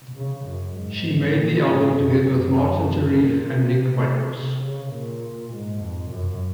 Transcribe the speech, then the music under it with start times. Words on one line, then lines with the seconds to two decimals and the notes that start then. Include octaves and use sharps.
She made the album together with Martin Terefe and Nick Whitecross.
0.16 C#3
0.46 F#2
0.76 G#2
1.35 A#2
1.66 G#2
1.95 F#2
2.25 F#2
3.15 A#2
3.73 C3
4.33 C3
4.63 C#3
4.92 A#2
5.52 G#2
5.82 F2
6.11 F#2